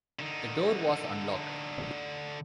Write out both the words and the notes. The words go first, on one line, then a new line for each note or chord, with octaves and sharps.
The door was unlocked.
D3 D#4